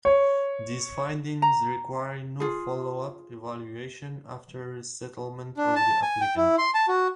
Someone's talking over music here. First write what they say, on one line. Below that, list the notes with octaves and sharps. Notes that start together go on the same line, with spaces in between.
These findings require no follow-up evaluation after resettlement of the applicant.
C#5
A#5
F4 G#4
D4
A5
G#5
G5
E4
C6
A5
F#4